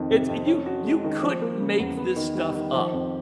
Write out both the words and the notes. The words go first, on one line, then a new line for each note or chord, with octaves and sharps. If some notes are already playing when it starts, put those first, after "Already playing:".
it's you you couldn't make this stuff up.
Already playing: F2 D#3
C3
F2
C#4
F#4
G#3
D#3
F3
A#3
C#3
E2
B3
D#3
G3
D#3
F3
F2